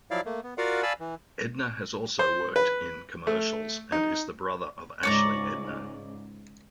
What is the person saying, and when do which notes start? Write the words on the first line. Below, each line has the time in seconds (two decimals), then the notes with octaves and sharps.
Edner has also worked in commercials and is the brother of Ashley Edner.
0.11 F3 F#3 E4 D5 F5
0.25 A3 A#3
0.44 B3
0.58 F4 F#4 A#4 D5 F5 F#5
0.83 D5 F5 G#5 A5 B5 E6
1.00 E3
2.19 C5
2.56 B4
3.27 A3
3.92 D#4
5.03 C#2 G#2 C#5 D5 A#5